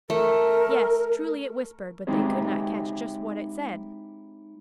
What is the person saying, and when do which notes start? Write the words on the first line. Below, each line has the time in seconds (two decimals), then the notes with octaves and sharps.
Yes, truly it whispered, but they could not catch just what it said.
0.10 A3 A#4
2.07 G#3 C4 D#4 E4 G4 C#5